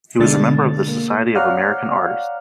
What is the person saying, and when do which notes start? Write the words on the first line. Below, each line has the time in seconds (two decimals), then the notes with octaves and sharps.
He was a member of the Society of American Artists.
0.20 B2 D3 G#3 A3 D4 A6
0.88 A#3
1.35 C#5 D5 F5 F#5 A#5 F6